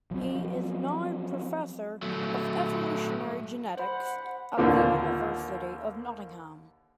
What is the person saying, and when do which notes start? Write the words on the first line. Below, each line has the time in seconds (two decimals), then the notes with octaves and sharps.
He is now Professor of evolutionary genetics at the University of Nottingham.
0.11 F3 F#3 C4
2.02 F#3 A3
3.77 C5 F#5 B5
4.57 D#2 A#2 D3 F3 A#3 B3